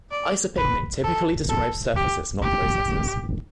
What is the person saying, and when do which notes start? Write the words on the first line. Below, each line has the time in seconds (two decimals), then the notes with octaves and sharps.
Isopycnic typically describes surfaces, not processes.
0.11 D5
0.58 B4
1.04 A4
1.49 A4
1.96 G4
2.42 G4